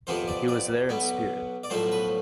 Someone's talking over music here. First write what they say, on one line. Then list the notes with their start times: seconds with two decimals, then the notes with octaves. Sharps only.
He was there in spirit.
0.07 F2 C3 F3 B3 C5
0.28 D5
0.48 D5
0.89 B1 B2 B3
1.64 D5
1.70 B1 A2 F3 A3 C5
1.92 B4